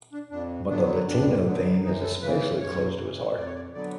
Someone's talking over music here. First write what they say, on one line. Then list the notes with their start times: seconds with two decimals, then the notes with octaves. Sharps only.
But the Latino theme is especially close to his heart.
0.13 D4
0.31 F2 D4
0.69 D3 F#3 B3 D4
1.08 F2 D4
1.45 D3 F#3 B3
1.84 F#2 D#4
2.02 A4
2.21 C#3 E3 B4
2.60 F#2 C#5
2.98 C#3 E3
3.36 F2 D5
3.45 C#5
3.54 D5
3.73 D3 F#3 B3 D5